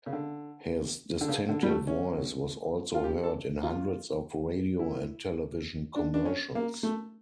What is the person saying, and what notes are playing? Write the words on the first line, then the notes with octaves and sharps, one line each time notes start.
His distinctive voice was also heard in hundreds of radio and television commercials.
C#3
D3
D3
C#3
D3
G3
A3
C#4
F4
G4
A4
F4
E4
D4
D4
C#4
A#3
A3